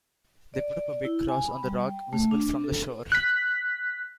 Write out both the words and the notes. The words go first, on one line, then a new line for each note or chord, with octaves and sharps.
They put up a big Cross on the Rock, visible from the shore.
D5
D5
E4
G#5
B5
G3
G5
A3
D4
A4
F#6 B6